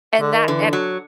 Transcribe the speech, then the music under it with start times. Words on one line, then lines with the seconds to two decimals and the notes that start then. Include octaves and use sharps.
And that and
0.20 D3
0.34 D#3
0.48 D3 E3
0.73 F#3